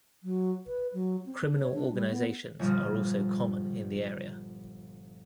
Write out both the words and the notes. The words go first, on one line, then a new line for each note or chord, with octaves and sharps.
Criminal organizations are also common in the area.
F#3
B4
F#3
C4
D4
C#5
D4
G3
B3
G1 A#2 F3 G3 D#6 F6